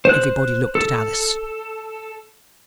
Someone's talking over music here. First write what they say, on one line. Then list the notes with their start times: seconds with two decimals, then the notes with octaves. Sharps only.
Everybody looked at Alice.
0.05 C5 F#6
0.75 A4